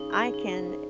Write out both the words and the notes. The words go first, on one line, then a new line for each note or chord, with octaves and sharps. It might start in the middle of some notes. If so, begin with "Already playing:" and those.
I can
Already playing: C#3 D#4
G#4
D#4
C5